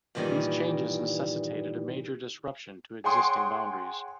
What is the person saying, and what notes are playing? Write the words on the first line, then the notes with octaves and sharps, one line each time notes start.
These changes necessitated a major disruption to existing boundaries.
G2 A#2 D#3 E3 G3
G#4 C#5 F#5 G5 C6 D#6